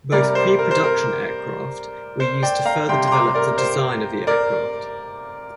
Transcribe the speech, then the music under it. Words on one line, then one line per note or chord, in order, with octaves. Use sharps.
Both pre-production aircraft were used to further develop the design of the aircraft.
C3 G3 A#4 D5
C5
A#4
C5
A#4
C5
D5 G5
F5 A#5
C3 G3 G5 C6
C6
A#5 D6
A#4 D5
C5
A#4 D5